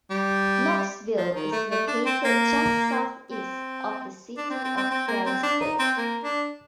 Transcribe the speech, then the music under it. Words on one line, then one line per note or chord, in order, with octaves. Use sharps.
Knoxville is located just southeast of the City of Galesburg.
G3
F3
D#3
A3
A3
D4
C4
A#3
C4
D4
C4
C4
C4
C4
A#3
C4
D4
D#4
C4
A#3
D4